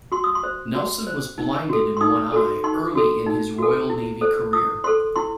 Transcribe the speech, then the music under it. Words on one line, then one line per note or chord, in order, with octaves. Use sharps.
Nelson was blinded in one eye early in his Royal Navy career.
F#4 C6
D#6
C6
C5
F#4
C5
D#4
F#4 A4
C6
D#4 D#6
F#4 A4
D#4 C6
F#4 A4
D#4
F#4 A4
E4
A4 C5
E4 D#6
A4 C5 C6
E4 C6